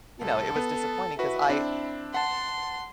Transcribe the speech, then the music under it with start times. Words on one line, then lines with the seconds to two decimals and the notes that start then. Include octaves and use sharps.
you know, it was disappointing 'cause I
0.21 C2 A4
0.56 B3
1.19 E4 F#4 B4
1.50 C4 D4
2.14 F#5 A5 C6